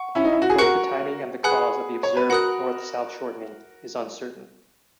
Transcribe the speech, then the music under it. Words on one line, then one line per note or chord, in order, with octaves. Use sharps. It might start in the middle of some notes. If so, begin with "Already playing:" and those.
Both the timing and the cause of the observed north–south shortening is uncertain.
Already playing: F#5 C#6
C#4 E4
D#4
E4
F#4
G#4
F#4 A#4 F#5 C#6 F#6
G#4 B4 F#5 B5 D#6 F#6
C#5
B4
F#4 A#4 F#5 B5 D#6 F#6